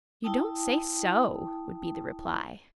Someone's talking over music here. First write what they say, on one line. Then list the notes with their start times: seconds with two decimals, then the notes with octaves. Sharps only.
"You don't say so," would be the reply.
0.24 E4 G5 A5 D#6